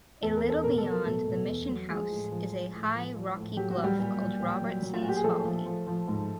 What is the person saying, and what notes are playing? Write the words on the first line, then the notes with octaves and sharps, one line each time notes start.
A little beyond the Mission House is a high rocky bluff called Robertson's Folly.
E2 A4
A#4
E2
A4
B2 A#4
A4
F#3
A#4
B2 A3 A4
B2
E2
F#3
F3 G#3 G#4
A2
F3
F3
A2
F3
F3
A2
F#3 G4
F#4
F#3
G3 G4
A#2
A#2
A#2
F#3
F#3
F4
A#2 F#4
G4
G#4
F3 A3 A4
F3
F3
F3
G#2